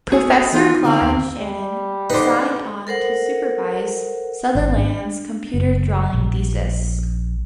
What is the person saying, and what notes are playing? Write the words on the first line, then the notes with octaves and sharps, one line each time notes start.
Professor Claude Shannon signed on to supervise Sutherland's computer drawing thesis.
A3 F#4 G#4
E3 B3 D#4 F4 G#4
D3 C4
D#2
G3
D3 D#4 B4 C5
A4 A#4 C5 F#5
G#1
D4
F#1
A#1